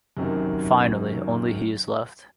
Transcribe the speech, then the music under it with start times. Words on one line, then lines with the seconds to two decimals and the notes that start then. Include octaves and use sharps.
Finally, only he is left.
0.17 F#2 C3 D#3